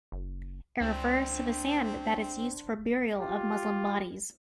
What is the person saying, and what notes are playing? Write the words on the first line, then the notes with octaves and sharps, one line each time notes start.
It refers to the sand that is used for burial of Muslim bodies.
F#1
C#2 C4 D4 C5
F4 G4